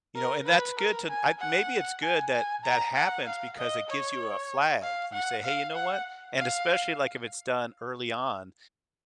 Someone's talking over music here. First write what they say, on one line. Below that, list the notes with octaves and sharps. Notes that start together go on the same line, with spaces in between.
you know, and that's good to I maybe it's good that that happens because it gives you a flag. You say, "Hey, you know what?" And especially, like, if it's done early on,
A#4
B4
A#4
G#5
F#5
G#5
G#5
A#5
F#5
F5
D#5
C#5
F5
F#5
F5
F#5
F5